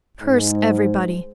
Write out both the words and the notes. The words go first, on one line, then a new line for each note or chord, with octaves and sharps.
Curse everybody!
G#2